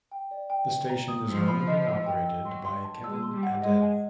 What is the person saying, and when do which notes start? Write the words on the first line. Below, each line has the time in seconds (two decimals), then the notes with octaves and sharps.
The station is owned and operated by Kevin Adell.
0.12 G5
0.31 D5
0.50 G5
0.70 G5
0.89 A#5
1.08 D#6
1.28 F3 E6
1.48 B5
1.67 D#5
1.87 E6
2.06 G5
2.26 E6
2.45 F#3 C6
2.65 C6
2.84 A5
3.03 G#3 E6
3.23 C6
3.33 G3
3.43 F#5
3.62 G#3 D#5
3.82 G#5